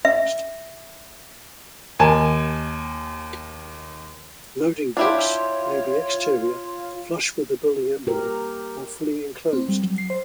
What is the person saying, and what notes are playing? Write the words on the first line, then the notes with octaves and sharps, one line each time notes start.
Loading docks may be exterior, flush with the building envelope, or fully enclosed.
E5
D#2 D#3 G#5 A5 E7
D4 E4 F4 G4 C#5
G4 A#4
C4
G3
F#3
C7
C5